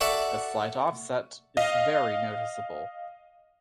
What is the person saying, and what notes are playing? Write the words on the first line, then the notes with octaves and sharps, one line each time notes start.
A slight offset is very noticeable.
F#4 A4 D5 E5 F#5
D#5 F5